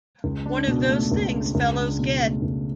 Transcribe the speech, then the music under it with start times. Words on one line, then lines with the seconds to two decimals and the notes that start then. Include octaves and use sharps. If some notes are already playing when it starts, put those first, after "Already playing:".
One of those things fellows get.
0.24 C#2
0.46 D4
0.68 B2
0.90 A3
1.12 C#2
1.33 D4
1.55 C#2
1.76 D4
1.99 B2
2.20 A3
2.42 C#2